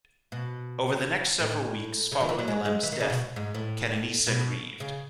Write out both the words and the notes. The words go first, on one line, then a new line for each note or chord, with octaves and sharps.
Over the next several weeks following Alem's death, Kenenisa grieved.
B2
A2
C#3
D#3
E3
F#3
G#3
G#3
E3
D#3
C#3
B2
G#2
A2
B2
C#3